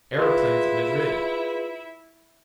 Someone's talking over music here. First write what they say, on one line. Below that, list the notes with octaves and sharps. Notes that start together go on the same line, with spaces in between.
Aeroplanes at Madrid!
E4 F4 G#4 B4